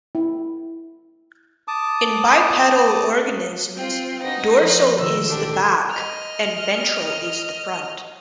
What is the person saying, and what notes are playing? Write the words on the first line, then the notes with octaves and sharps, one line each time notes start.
In bipedal organisms dorsal is the back and ventral is the front.
E4
A5 D6 D#6
C4 F4 G5
D4 D#4 F#4 B4 F#5 A#6
F3
B2 D#3 D#5 E6
A1 D4 G4 A4
D#5 F6